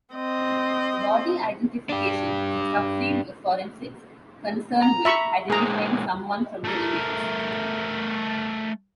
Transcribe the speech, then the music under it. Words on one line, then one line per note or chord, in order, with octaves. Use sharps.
Body identification is a subfield of forensics concerned with identifying someone from their remains.
C4 D#5
D4 G4
A#5
E5 B5 C#6
A#2 G#3 G#4 A#5
A3 A#4